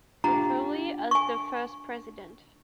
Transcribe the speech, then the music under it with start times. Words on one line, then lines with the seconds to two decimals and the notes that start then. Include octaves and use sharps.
Luthuli as the first President.
0.24 D4 F4 G4 A#5
1.11 G#5 C#6